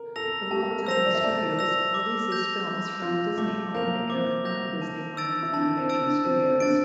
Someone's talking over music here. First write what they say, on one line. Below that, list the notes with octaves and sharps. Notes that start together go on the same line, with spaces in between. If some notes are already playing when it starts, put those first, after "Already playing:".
The Walt Disney Studios releases films from Disney-owned and non-Disney owned animation studios.
Already playing: A#4
A4 E6 A#6 F7
G4 A5
A#4
C5 E6 A#6 F7
D5
E5
D5 A5
E6 A#6 F7
D6
G6 A#6 F7
D6
F4 G6 A#6 F7
A3 D6
A#3 G6 A#6 F7
C4 D6
G6 A#6 F7
A5
E6 A6 D7
E4
D4 A5
C4
E6 A6 D7
D4
C4 A5
C4
D4 E6 A6 D7